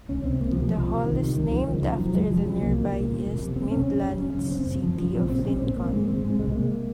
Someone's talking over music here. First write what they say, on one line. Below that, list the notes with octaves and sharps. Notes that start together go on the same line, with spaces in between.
The hall is named after the nearby East Midlands city of Lincoln.
C#2 C#4
C3 C4
C#2 A#3
F3
C3
F3
C2
C3
C2 D#3
C3
C#2 D#3
C#3 F3
C#2 D#3
C#3 F3
F1 F#3
F2 C#3 G#3
F1 F3
F2 C#3 F#3
C2 A#3
A#2
C2
A#2
F1
F2 C3
F1 C4
F2 C3 C#4
F#1
F#2 C#3
F#1 C#4
F#2 C#3
F#1 C4
F#2 C#3
F#1 F3
F#2 C#3 F3
A#1 C4
A#2 C4
A#1 C#4
A#2 C4
G#1 A#3
G#2 G#3
G#1 C4
G#2 G#3
C2 G#3
C3 A#3